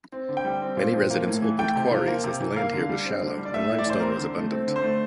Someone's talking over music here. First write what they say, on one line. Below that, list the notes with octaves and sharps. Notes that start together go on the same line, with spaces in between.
Many residents opened quarries as the land here was shallow and limestone was abundant.
C4
D3
G5
G3
C4
A#2
F3
A#3
A2
E3
A3 G5
C3
F3
A#3
C3
E3
A#3 F5
D3
G3
C4
D3
G3
D5
A3 E5
A2
D5
E3 C5
C4 A#4
C5
D3
A3
C4
D3
C5
A3